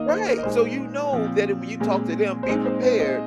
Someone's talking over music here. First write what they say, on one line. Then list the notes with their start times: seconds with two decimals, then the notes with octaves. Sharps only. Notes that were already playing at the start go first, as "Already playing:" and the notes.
Right, so you know that- and when you talk to them, be prepared
Already playing: D#3 A#3 D#4 D#5
0.08 C5
0.26 A#4
0.38 D#5
0.43 A#2 G#3 D#4 C5
1.11 A#2 F3 C4
1.80 A#2 G#3 C4
2.43 C5
2.48 A#2 G#3 C4 D#4 D#5
2.66 C5
2.83 C5
3.00 D#5